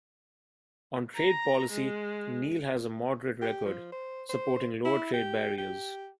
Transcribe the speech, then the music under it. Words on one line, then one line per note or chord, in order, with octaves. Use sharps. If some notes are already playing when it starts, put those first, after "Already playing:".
On trade policy, Neal has a moderate record, supporting lower trade barriers.
A#5
G#3
G4
F3
C5
C5
E4
G4
G4